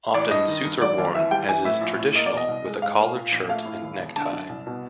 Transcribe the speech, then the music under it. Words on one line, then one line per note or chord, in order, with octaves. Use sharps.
Often, suits are worn, as is traditional, with a collared shirt and necktie.
A1 D5
G2 D#5
D#3
G2
F#3 D5
D#2
E3 E5
G3 G5
E3 G#5
A2 E5
A#1
A2
A#3 D#5
D5
B2
D#5
C2
G#3
G#2 F5
A#3
A#2
A#1
A3 F5
A2
D#2
E1
D3 A5
F#2
C2
B2